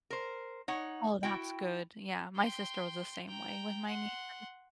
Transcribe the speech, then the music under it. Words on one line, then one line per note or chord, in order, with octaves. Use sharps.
Oh, that's good, yeah, my sister was the same way with my niece and
A#4 C5
D#4 C#5 F#5
E4 F#4 G5
G5 C6
G5 A#5
F#5 C6